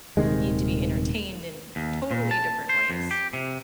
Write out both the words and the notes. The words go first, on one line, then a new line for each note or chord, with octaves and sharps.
need to be entertained in totally different ways.
D#1 C3 D#3 G#3
D#2
A#2
A5
C5
F2
G4
C3